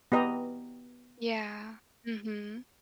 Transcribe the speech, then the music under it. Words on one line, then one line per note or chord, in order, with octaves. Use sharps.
Yeah. Mhm.
B3 G4 D#5 A#5